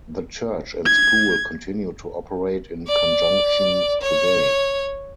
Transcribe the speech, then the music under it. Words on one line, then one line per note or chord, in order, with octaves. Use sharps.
The church and school continue to operate in conjunction today.
G#6
D5
C#5